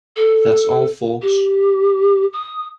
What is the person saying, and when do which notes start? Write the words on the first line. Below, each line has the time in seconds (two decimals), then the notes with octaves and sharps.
Thats all folks.
0.16 A4
1.22 G4
2.33 D#6